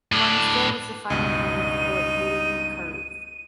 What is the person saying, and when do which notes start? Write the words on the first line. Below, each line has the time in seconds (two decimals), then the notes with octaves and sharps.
Munnsville was the final home of poet Hayden Carruth.
0.12 A2 D4
1.10 C#2 G2 B2 D#4 D#7